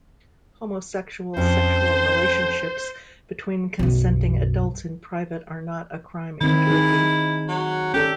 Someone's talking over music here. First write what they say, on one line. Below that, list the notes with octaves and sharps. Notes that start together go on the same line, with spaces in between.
Homosexual sexual relationships between consenting adults in private are not a crime in Turkey.
F2 C#4 C5
B1 F#2
D#3 C4 E4
D#4 G#4
F#3
C#4 G4 A4 D5